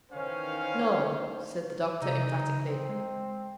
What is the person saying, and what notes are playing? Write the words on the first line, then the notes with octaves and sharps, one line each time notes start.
"No," said the doctor emphatically.
D#3 E3 C#4 C5 F5
C3 D#4
C#3
C4
G#3